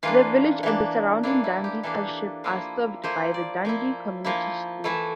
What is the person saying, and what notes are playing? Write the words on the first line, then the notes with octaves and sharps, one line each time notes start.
The village and the surrounding Dundee Township are served by Dundee Community Schools.
E3 A#3 D4 F4
E3 A#3 D4
E3 A#3 D4 E4
E4
G4
E3 A#3 D4 A4
F3 A#3 E4
F3 A#3 E4 C5
D5
F3 A#3 E4
F3 A#3 E4
E3 A3 E4 E5